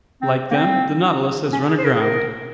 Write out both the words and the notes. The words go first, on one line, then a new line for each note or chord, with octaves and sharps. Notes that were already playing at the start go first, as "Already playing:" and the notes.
"Like them, the Nautilus has run aground!"
C4
A#3
C4
C#4
G#4
C5
A#4
G#4
A#4